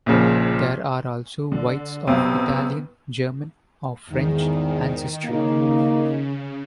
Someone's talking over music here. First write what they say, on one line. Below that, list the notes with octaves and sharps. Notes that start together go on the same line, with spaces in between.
There are also whites of Italian, German, or French ancestry.
A#1 A#2 C#3 F3
D3
B1 C3 B3
E2 G#2 D#3
C#3 A#3 D#4